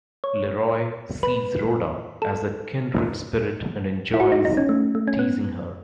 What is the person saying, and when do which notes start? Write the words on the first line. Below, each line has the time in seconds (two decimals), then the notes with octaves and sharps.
Leroy sees Rhoda as a kindred spirit and enjoys teasing her.
0.24 C#5
1.23 B4
2.22 A4
4.14 E4
4.20 F#4
4.32 D#4
4.45 D#4
4.57 C#4
4.69 A3
4.95 A3
5.08 C#4
5.19 B3